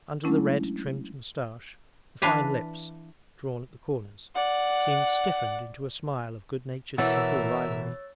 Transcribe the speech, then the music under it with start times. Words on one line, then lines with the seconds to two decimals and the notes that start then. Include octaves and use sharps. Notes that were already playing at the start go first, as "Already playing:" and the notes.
Under the red trimmed moustache the fine lips, drawn at the corners, seemed stiffened into a smile of good-natured subtle raillery.
0.24 F#3 G#3 A3 C#4 D4 E4
2.22 E3 D4 B4 F5 G#5
4.35 D5 F#5
6.98 B2 E3 A#4 C#5 E5 F#5 E6 A6